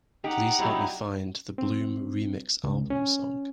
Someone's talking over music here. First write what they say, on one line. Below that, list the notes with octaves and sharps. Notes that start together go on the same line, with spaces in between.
Please help me find the Bloom: Remix Album song.
D#4 G4 F#5 A#5
C3 F#3 G3 D#4 E4
C4
C#2
C#4